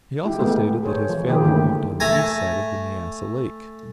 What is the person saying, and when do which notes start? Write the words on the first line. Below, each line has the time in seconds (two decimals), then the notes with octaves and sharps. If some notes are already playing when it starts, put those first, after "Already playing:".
He also stated that his family lived on the east side of the Nyassa Lake.
0.24 G#3 E4 G4
0.39 G#3 A3 B3
0.83 G#4 A4 C5 C#5
1.09 F3
1.28 D#3 A#3 G4 G#4 C5
1.45 D3 D#3 G#3 A3 D4 E4
2.00 A3 G#5 A#5